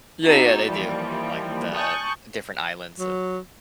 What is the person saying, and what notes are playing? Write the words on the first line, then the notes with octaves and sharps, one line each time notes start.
Yeah, yeah, they do. Uh, like, the different islands, so
B3 C4 D4 D#4 F#4 A4
D#2 E3 F3 G3
G#5 A5 C#6 D#6 F#6 G6
F#3